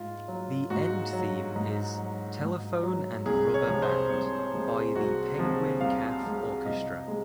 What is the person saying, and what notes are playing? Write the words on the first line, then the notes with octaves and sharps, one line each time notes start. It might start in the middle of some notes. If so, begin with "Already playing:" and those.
The end theme is "Telephone and Rubber Band" by the Penguin Cafe Orchestra.
Already playing: G#2 F4
F#3
G#2 F#4
F#3
G#2
F#3
G#2
F#3
C2 G#4
C#5
C3 F3 G#3
C5
C2 C#5
C#5
C3 F3 G#3
C2 F#4
C3 F3 G#3
C2 F5
C3 F3 G#3
C2 D#5
G#3